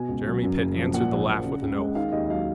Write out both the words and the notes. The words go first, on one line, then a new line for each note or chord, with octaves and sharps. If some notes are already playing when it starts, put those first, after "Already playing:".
Jeremy Pitt answered the laugh with an oath.
Already playing: B2 G#5
C#2
F#3
F#2
F#1
F3
A#2 F#5
A#1
F3
C#3
C#2
G#3
D#3 F5
D#2 D#5
D#5
F#3 F5